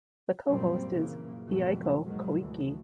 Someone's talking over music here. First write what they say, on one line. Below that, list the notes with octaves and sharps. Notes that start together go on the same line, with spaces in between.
The co-host is Eiko Koike.
F1 F#2 A#2 G3 A#3 C4
F#1 A#2 C#3 E3 A#3
G#1 F2 B2 F#3 A3
D#2 G#2 B2 D#3 F#3 G#3
D2 E3